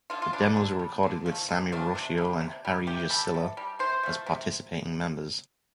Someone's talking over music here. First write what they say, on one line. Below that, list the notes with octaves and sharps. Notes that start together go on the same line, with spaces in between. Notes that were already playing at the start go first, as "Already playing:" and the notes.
The demos were recorded with Sami Rautio and Harri Jussila as participating members.
D3 F4
F4
G3 D4
D3
G3
D3
F3 A3
D3
F3 A3 D4
C3
G3
C3
G3
C3 G4
G3 A4
C3
G3
C3 C5
F3 A3
C3